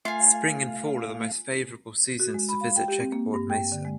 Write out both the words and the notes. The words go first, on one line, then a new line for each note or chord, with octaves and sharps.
Spring and fall are the most favorable seasons to visit Checkerboard Mesa.
A3 F4 F5 G#5
F#4
G#3
B5
F5
G5
G4
C4
A#3
G2
G5
D3
G#3